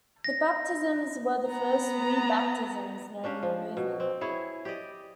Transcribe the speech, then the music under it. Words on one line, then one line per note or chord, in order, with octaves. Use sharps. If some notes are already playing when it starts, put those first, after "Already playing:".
These baptisms were the first "re-baptisms" known in the movement.
A#6
B3 A#5
C#4 D4 G4 F5
F3
B2
C4
E4 G#4 C#5
G4 D5 D#5